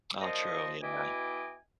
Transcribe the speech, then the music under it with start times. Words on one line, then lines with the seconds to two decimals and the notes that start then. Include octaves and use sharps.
All true. Yeah.
0.20 A#2 F3 F4 D#5
0.82 B2 E4 D#5 G5 G#5 D6